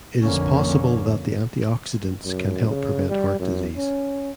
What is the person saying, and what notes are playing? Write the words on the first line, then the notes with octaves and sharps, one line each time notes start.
It is possible that the antioxidants can help prevent heart disease.
A#1 F2 D3 A#3 C#4
F#2
C#3
G3
F#2
C#4